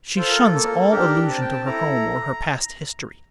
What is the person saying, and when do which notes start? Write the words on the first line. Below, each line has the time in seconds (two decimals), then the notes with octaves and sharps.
She shuns all allusion to her home or her past history.
0.16 F4 A4 C5
0.29 A#4
0.54 A#3 A4
0.79 A4
0.90 D4 G4 A#4
1.29 C4 A5
1.41 G5
1.52 A5
1.66 E4 A4 A#5